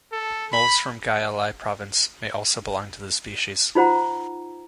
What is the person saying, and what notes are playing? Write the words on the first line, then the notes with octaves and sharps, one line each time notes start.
Moles from Gia Lai Province may also belong to this species.
A4
B5
D#4 F4 C5 F#5 A#5